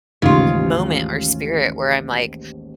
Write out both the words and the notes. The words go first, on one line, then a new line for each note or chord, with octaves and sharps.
moment, or spirit, where I'm like,
A1 D#2 G#2 C#3 F4